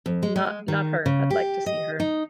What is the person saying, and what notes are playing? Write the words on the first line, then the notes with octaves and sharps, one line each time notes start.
not not her, I'd like to see her.
F2
G#3
G#3
D#3
C#3
G4
D#5
D#4